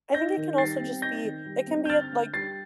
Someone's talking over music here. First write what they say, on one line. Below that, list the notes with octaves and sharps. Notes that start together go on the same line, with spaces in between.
I think it can also just be it can be a, like,
D#4 G6 A#6
D#3
G3 A6 C7
C4
D#4 G6 A#6
D#3
G3
C4
G6
D3 F6 A6
D3
G3 A6 C7